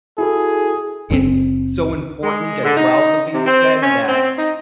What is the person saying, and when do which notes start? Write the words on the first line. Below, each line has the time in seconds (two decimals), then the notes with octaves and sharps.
it's so important, as well, something you said, that
0.18 E4 F#4 G#4 A4
1.10 F#1 C#2 A#2 C4
2.23 G#3
2.64 D3
2.77 D#4
3.34 C3
3.46 C4
3.82 C#4
4.08 C4
4.38 D#4